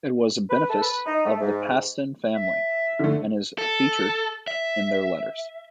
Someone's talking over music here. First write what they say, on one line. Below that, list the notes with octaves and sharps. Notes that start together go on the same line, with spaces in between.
It was a benefice of the Paston family and is featured in their letters.
B4
A4
B4
D#4
A3
G#2
E5
D3 A3
A4
E5